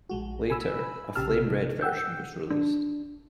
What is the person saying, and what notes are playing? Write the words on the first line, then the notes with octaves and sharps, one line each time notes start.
Later, a Flame Red version was released.
A#1 G#3 F#4
G#5 B5 E6
A#1 C#3 G4 A5 E6 F6
C3
F#5 G5 E6 G6
D4